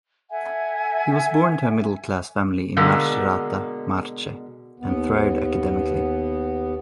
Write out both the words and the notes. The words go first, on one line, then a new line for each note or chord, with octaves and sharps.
He was born to a middle-class family in Macerata, Marche, and thrived academically.
A4 E5 F#5 G#5
B2 D3 G#3 A#3
D#2 B3